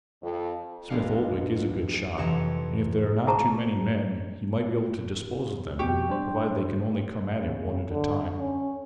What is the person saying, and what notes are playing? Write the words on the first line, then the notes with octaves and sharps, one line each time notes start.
Smith-Oldwick is a good shot and if there are not too many men he might be able to dispose of them provided they can only come at him one at a time.
F2
B1 G3 G#3 D4 F5 F#5
F2 C3 E3 A#5 C#7 E7
E4 G#4 C5 A5 A#5 C#6
F2 B2 G4 C#6
G3 D4 C5
C#3
D3
C#4